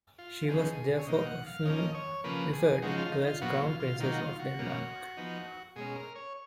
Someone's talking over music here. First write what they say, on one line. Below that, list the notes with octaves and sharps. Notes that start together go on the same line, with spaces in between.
She was therefore often referred to as Crown Princess of Denmark.
F4
C#3 F3 B3 D#4 G#4
C#5
B2 A#3 D#4 D#5
F#5
F5
F3 A#3 C#4 D#5
C#5
C#3 F3 A#3 B4
G#4
C#3 F3 G#3 D#4 F#4
F4
D#4
F4
A#2 F#3 B3 F#4
F4
F4
D#3 F#3 A#3 D#4 F4
F#4
F4
F#4
B2 A#3 C#4
F3 B3 D#4
B2 G#3 C#4 G#4
A#4
C#5